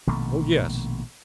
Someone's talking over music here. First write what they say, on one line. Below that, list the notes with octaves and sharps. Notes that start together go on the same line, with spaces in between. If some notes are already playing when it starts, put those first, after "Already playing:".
Oh, yes.
A#1 B2 D#3 A3